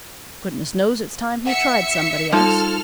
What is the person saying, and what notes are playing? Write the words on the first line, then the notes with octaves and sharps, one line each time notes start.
Goodness knows it's time he tried somebody else.
E5 F#5 C#7
F3 G3 D#4 F4 A4 F6